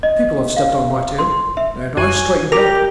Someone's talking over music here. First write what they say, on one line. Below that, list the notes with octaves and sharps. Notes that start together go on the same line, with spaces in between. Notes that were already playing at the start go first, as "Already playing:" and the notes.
People have stepped on my tail, and I straightened up.
D#5
F5
C6
E5
F#2 G#5
G4 A#4